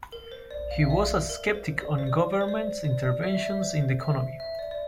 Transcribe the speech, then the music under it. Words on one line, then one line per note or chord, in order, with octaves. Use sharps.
He was a skeptic on government interventions in the economy.
A#4
C5
D5
F5
E5
D5
A#4
C5
D5
C5
D5
D5
C5
D5
D5
D5
E5
E5
D5
C5
C5
E5
E5
D5
D5